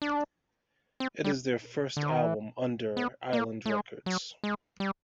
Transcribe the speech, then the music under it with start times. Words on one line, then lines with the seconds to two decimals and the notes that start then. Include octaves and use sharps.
It is their first album under Island Records.
0.02 D4
1.00 C4
1.24 G3
1.97 D3
2.09 D#3
2.23 E3
2.97 B3
3.33 A#3
3.66 A3
3.70 G#3
4.06 F#3
4.44 G#3
4.80 G3